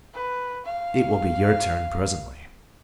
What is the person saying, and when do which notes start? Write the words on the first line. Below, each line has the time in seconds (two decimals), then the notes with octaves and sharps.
"It will be your turn presently!"
0.14 B4
0.65 F5